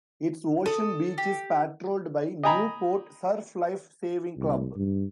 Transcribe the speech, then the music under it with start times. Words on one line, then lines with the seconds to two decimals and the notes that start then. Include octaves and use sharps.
Its ocean beach is patrolled by Newport Surf Life Saving Club.
0.66 A4 D#6
1.18 G4
2.43 D#5 G5 G#5 A#5 B5
4.37 C2
4.76 G2